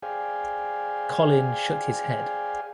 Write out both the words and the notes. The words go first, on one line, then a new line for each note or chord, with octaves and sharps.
Colin shook his head.
G#4 C5 D5 F5 G5 G#5